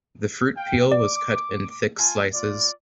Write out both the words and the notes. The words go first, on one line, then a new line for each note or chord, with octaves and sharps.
The fruit peel was cut in thick slices.
F5 G5
D5 D6
F4 G#5 A5
F4 D5